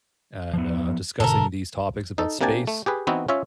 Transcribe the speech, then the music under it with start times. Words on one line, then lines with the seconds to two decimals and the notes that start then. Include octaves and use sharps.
and, uh, discussing these topics about space.
0.53 F3 B3
1.20 G#2 B2 D3 A4 A#4
2.18 D#4 A4
2.41 C3 A#3 D4 G4 G#5 A5
2.67 A3
2.86 G4 G#4 B4
3.07 E3 B3 C4 D#4 E4 F#4
3.29 C#4 F4 C#5 E5